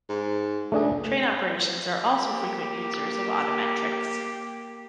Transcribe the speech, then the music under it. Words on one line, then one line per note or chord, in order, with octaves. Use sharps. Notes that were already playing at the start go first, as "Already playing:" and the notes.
Train operations are also frequent users of odometrics.
G#2
C#2 A3 D4 G#4
A#3 G4